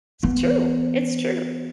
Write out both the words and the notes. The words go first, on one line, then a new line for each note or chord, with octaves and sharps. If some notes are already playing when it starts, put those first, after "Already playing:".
It's true, it's true.
E3 B3